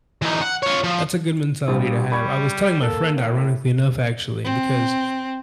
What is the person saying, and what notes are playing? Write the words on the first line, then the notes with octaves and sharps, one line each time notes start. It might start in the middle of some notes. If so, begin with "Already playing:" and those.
that's a good mentality to have. I was telling my friend, ironically enough, actually, because
E3 D#4
F#5
F4 C#5
F3
A#1 F3 G3
G3 B5 C#6 G#6
A#3 A4
A2
C4